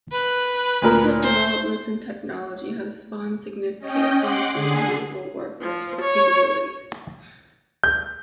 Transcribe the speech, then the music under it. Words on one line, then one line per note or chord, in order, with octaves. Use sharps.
Recent developments in technology have spawned significant advances in naval warfare capabilities.
B4 F#6
D2 A#2 A#4
C5
C#4 D#5 G5
F#5 C6 D6 F#6
D3 G#4 C7
F3
C#5
G6